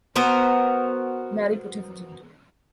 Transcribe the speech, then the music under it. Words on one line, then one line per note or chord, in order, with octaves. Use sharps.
Mary put her foot into it.
B3 F#4 A#4 C5